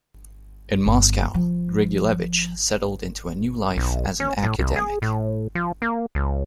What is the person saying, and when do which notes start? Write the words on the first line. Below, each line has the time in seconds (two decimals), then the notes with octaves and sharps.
In Moscow, Grigulevich settled into a new life as an academic.
0.86 G1
1.34 F3
3.77 B1
4.20 C#4
4.43 A2
4.59 C2
4.76 G#4
5.02 A2
5.55 F3
5.82 A#3
6.15 C#2